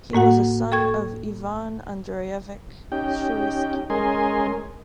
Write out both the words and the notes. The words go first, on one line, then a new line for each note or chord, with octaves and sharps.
He was a son of Ivan Andreyevich Shuisky.
A2 A#3 F#4 F#5
A4 G5 C#6 G#6
C#4 D#4 G4 G5
G#3 C#4 A#4 D#5 G#5 C6